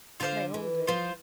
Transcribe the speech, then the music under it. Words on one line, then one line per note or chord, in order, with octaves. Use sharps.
They all do.
D3 F4 C5 F5
E3
F3 F4 C5 F5